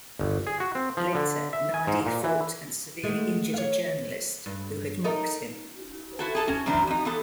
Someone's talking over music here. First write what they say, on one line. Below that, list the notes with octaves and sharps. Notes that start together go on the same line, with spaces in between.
Later Nadi fought and severely injured a journalist who had mocked him.
G1
G#4
F#4
C4
F3
D3
E5
G#5
G#2
A#2
E3
G#3 A3 F#4
C#5 F5
G2
D#4 A4 A#4
E4 F#4 A4
G#4 A4 A5
C#4 F#4
F#2 A2 E3 D4 C5 A#5
F2 D#4
E2 B3 A4